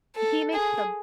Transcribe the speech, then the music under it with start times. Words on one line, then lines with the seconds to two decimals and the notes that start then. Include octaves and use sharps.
he makes the
0.16 A4
0.53 G#4